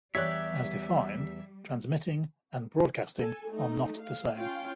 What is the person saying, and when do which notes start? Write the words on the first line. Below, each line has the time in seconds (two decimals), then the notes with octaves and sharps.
As defined, "transmitting" and "broadcasting" are not the same.
0.15 E2 G3 G4 C#5 D5 E5 F#6
3.19 A4 G#5
3.50 A3 D#4
3.99 F5
4.36 C#4 F4 F5 G5